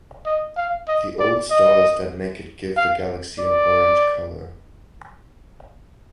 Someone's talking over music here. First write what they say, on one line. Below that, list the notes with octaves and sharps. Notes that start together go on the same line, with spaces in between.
The old stars that make it give the galaxy an orange color.
D#5
F5
D#5
D5
D#5
F5
D5